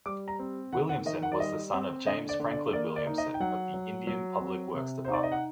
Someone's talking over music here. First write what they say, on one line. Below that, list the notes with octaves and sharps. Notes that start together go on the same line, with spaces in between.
Williamson was the son of James Franklin Williamson of the Indian Public Works Department.
G3 D6
A#5
C4
D#3 F#5
F#5
D#3 D#5
F#5
D5
G3 D#5
C4
D3 D#5
D5
D3
D5
A#3 D5
D5
D#4
D#5
G5
F#3 F#5
F#3
F#3
C4
C3
D#4 C5
D5
D#5
F#5